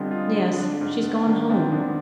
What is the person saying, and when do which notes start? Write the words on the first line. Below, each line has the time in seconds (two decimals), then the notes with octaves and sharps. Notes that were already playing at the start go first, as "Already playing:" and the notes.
"Yes, she's gone home."
Already playing: D3 G3 G#3 B3 C4 F4
0.11 F4
0.34 D3
0.58 D4
0.81 G#2
1.03 B3
1.27 D#3 D4
1.50 B3 C4
1.72 B3 D4